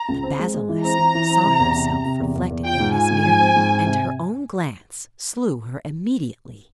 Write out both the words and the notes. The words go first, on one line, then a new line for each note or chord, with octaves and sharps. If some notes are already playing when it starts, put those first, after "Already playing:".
The basilisk saw herself reflected in this mirror, and her own glance slew her immediately.
Already playing: A#5
C#2
C4
G#3
G#3
E3
C4 A#5
E3
E3
C4
C3
E2
C3
C3
C3
E2
E2
E2
F4 G5
G#2
F4 G#5
G#2
F3
C4
G#2
C4
C3